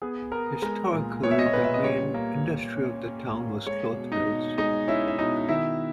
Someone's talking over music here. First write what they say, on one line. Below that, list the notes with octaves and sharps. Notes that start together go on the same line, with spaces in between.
Historically, the main industry of the town was cloth-mills.
B3 G#4 G#5
B3 A#4 A#5
G#3 A#4 A#5
A#2
B3 C#5
E5
D#5
C#5
A#2 B4
E5
D#5
G3 C#5
A#3
A#3
C#4
C#4
A#3
G#3 C#5
B2
D#4 D#5
B2
G#3 D#4 D#5
C#4 E4 E5
E5
B2 D#4 D#5
D#3 E4 E5